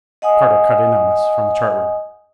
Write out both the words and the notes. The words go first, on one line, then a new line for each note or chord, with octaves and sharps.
Carter cut in on us from the chart room.
D#5 F#5 G#5 D#6